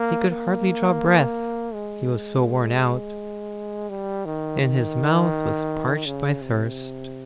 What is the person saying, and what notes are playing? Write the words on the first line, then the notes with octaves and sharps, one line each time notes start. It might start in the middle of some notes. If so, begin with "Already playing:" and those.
He could hardly draw breath he was so worn out, and his mouth was parched by thirst.
Already playing: A#3
A#3
G#3
G3
D#3
D#3
C#3
C3